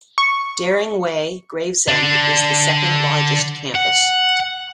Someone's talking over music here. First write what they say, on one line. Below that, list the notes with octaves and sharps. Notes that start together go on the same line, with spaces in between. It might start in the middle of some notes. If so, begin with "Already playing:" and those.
Dering Way, Gravesend is the second largest campus.
C#6
D3 D4
F#5